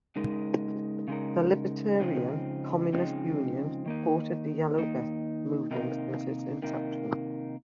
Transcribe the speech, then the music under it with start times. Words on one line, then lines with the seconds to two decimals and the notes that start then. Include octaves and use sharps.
The Libertarian Communist Union supported the Yellow vests movement since its inception.
0.16 C#3 G#3 D#4 A#4
1.08 C#3 G#3 D#4 A#4
2.00 C#3 F3 G#3 C4 D#4
2.93 C#3 F3 G#3 C4 D#4
3.86 D#3 A#3 D#4
4.78 D#3 A#3 D#4
5.71 C3 D#3 A#3 D#4
6.62 C3 D#3 A#3 D#4